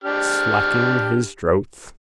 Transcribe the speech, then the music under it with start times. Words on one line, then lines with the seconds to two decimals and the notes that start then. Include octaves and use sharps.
Slaking his drouth.
0.04 D4 G4 F6